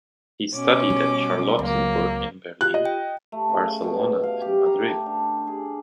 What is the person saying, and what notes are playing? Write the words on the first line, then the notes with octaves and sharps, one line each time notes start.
He studied at Charlottenburg in Berlin, Barcelona and Madrid.
B2 C#4 D6
G3
C#2 F#3 A#3
F4 G4 F#6
D#5
G5
A3
C#3
B2
F5
G4
A#5
A3
D4
G#4